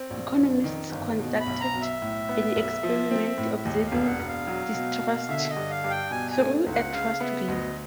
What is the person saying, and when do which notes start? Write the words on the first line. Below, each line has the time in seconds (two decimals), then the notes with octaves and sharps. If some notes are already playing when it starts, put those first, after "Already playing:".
Economists conducted an experiment observing distrust through a trust game.
Already playing: C4
0.10 A#1
0.37 F2
0.64 D#3
0.92 G1
1.19 B2
1.40 B5
1.46 B1
1.61 A#5
1.74 B1
1.81 E5
2.02 A2
2.29 B3
2.56 B1
2.83 F3
3.11 C4
3.38 A2
3.57 E5
3.65 D#2 D#5
3.86 F5
3.92 E1
4.06 F#5
4.20 E1
4.27 F5
4.47 F#3
4.74 B2
5.01 B2
5.29 D3 E5
5.50 D#5
5.57 G2
5.71 F5
5.84 G2
5.90 G5
6.11 B2 G#5
6.31 G#5
6.38 A3
6.66 C#2
6.73 F#5
6.93 C#3 F5
7.20 B3 E5
7.48 D2 D#5